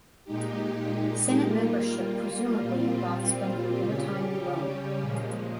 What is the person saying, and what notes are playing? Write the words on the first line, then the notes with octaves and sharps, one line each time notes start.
Senate membership presumably involved spending more time in Rome.
A#2 G#3 D#4 G4
G3 A#3 F4
A#2 G3 C4 F4
C#3 G3 C#4 G4
A#2 F3 G#3